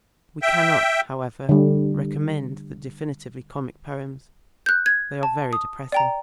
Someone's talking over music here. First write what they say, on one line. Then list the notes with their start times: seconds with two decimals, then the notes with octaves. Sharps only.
We cannot, however, recommend the definitely comic poems. They are very depressing.
0.42 E5 G5
1.49 D3 G3
4.66 F#6 G6
4.86 G#6
5.23 A5
5.53 D#6
5.92 D5 G5 A#5